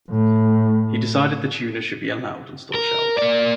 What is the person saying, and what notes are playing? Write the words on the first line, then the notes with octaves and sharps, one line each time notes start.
He decided the tuna should be allowed on store shelves.
A2
A#4
A#3 D5